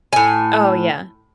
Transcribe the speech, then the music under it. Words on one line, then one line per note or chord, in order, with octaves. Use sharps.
Oh yeah.
A2 G#5